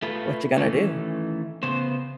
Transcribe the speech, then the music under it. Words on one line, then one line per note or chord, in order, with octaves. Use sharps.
What you gonna do?
A3 F4 B4
D#3 E3 A3 C#4
C#3 B3 C5